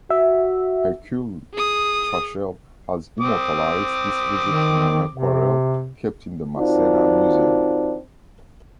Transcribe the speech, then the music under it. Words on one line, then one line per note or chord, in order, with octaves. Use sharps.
Hercule Trachel has immortalized this visit in an aquarelle kept in the Masséna Museum.
F#4 E5
G#4 D#6
C4 D6 D#6
D#3
C3
D#3 C4 D4 D#4 F4 F#4